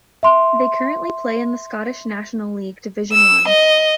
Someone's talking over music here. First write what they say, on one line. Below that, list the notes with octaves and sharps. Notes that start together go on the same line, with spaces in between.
They currently play in the Scottish National League Division One.
E5 C6
E6
D#5